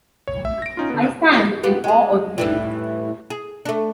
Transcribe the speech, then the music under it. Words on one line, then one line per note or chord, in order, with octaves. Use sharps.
I stand in awe of him.
C#5
E5
A#6 D7
C#4 D#4 F4
D3 B3
B3 F4 G4
G#3 G#4
A2 E3 G3
G#4
A3 D4